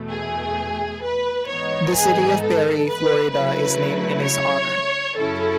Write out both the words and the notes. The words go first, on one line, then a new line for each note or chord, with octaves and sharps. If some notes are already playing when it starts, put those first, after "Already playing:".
The city of Perry, Florida is named in his honor.
Already playing: E2 B2 A3
G#4
B4
G#2 E3 B3 D#4 C#5
G#4
A4
B4
C#3 F#3 A3 E4 B4
C#5
F#2 C#3 F#3 C#4 E4 A4